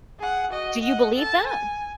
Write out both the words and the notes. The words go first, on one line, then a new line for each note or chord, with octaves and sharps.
Do you believe that?
G#4 F#5
F#4 D#5
D#5 F#5
A4 A5
G#5